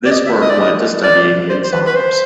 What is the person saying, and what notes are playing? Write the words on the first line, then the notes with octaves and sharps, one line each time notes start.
This work led to studying enzymes.
D5
D#5
E5
D#5
D5
D#5
D5
C5
C5
B4
B4
C5